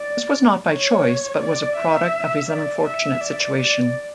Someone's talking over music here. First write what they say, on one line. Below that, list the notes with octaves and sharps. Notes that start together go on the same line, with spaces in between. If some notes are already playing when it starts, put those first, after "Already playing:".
This was not by choice, but was a product of his unfortunate situation.
Already playing: D5
C#5
D5
E5
D5
E5
D5
D5